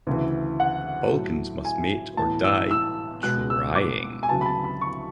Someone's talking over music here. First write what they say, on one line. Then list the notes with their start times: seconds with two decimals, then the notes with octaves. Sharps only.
Vulcans must mate or die "trying".
0.07 D2 C#3 E3
0.60 F#5
1.12 A2 F#3 A3
1.65 G#5
2.17 A2 E3 B3 A5
2.45 E6
2.71 E6
3.23 B2 G#3 B3 F#6
3.50 E6
3.75 D6
4.23 G#5
4.29 D2 C#3 F#3 B3 A5
4.41 B5
4.46 A5
4.64 B5
4.81 C#6